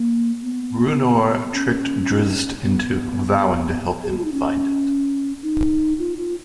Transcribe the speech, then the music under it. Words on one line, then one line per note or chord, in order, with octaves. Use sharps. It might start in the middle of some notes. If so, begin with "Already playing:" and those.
Bruenor tricked Drizzt into vowing to help him find it.
Already playing: A#3
B3
C#4
B3
G#4
F#4
F4
D#4
C#4
D#4
F4
F4